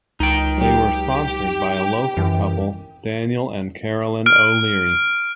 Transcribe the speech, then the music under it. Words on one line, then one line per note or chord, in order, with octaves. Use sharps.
They were sponsored by a local couple, Daniel and Carolyn O'Leary.
C#2 D#4 G5
F#3 G4
F#2 E3
F6 D7